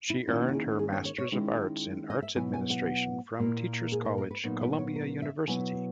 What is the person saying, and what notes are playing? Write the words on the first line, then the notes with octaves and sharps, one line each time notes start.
She earned her Masters of Arts in Arts Administration from Teachers College, Columbia University.
E4
D#3 A#3 C#4 E4 F#4
F#4
G#4
G#4
C#5
C#5
C#5
D#3 G#3 C#4 E4
D#5
E5
B2 F#3 B3 E4 G#5
G#5
F#5
A#2 A#3 E4
G#4
A#4
A#4
B4
A#2 F#3 B3 D#4
B4
C#5
A#4
E5
B2 F#3 B3 E4 G#5